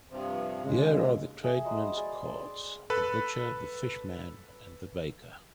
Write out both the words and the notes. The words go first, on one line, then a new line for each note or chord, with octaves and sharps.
Here are the tradesmen's carts — the butcher, the fish-man and the baker.
G2 C3 F3
D#2 C#3 G#3
A3 G#4 E5
F#3 C5 D#5 B5
G#4 D5
D6
A4 B4 B5